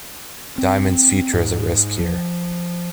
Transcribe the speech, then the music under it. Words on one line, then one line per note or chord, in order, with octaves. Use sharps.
Diamond's future is at risk here.
C4
G#2
F3